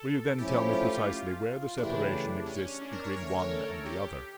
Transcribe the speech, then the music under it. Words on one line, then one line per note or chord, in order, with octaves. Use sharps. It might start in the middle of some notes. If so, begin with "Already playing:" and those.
Will you then tell me precisely where the separation exists between one and the other?
Already playing: A4
F3 A3 C#4 E4 G4
F4
C#3 E3 A3 D4 E4 G4
C#4
D4
A#4
C#5
D3 A3 C#4 C#5
C#5
A#4
A4
G4